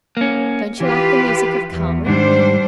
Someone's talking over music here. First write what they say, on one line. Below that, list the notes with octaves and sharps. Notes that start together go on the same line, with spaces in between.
Don't you like the music of CARMEN?'
A#3 C#4
E3 F4 G4 B4
E2
G#2 D#3 G3 D4 C5